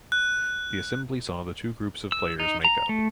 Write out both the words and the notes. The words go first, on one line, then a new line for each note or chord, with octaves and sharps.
The assembly saw the two groups of players make up.
F#6
E6
D#4
A#5
A3